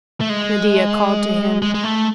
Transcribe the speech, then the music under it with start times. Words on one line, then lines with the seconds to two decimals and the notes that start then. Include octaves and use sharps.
Medea called to him.
0.21 A3
0.29 G#3
1.62 G#3
1.74 G#3
1.84 A3